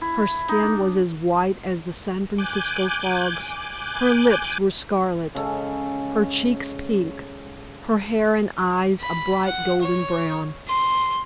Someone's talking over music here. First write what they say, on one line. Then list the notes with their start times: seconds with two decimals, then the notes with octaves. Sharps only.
Her skin was as white as the San Francisco fogs, her lips were scarlet, her cheeks pink, her hair and eyes a bright golden brown.
0.01 E4
0.22 E4
0.49 D#4
0.62 D4
2.38 G#5 D6 F#6 G6
5.35 C#3 G#3 C#4 A4
9.00 B5
9.46 F#5
9.82 C#5
10.68 C6